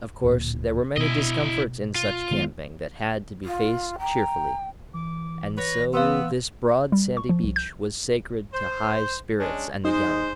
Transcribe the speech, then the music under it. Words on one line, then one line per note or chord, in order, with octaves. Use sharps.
Of course there were many discomforts in such camping that had to be faced cheerfully, and so this broad sandy beach was sacred to high spirits and the young.
D1 A#2
B2 E4 D#5
F4
D#3 G#3 B3
F4
G5 A#5
E3 D6
B4 C#5 A#6
B3 F5 C6 E6
G3
C#6
F3
C2
G6
C5
G#3 C#4 D4
G#3 D#4 C5